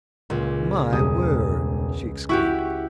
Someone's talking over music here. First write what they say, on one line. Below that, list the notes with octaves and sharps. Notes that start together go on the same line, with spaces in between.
'My word!' she exclaimed.
C#2 A#2
E1 G3 D#6
E4 F#4 G4 C#6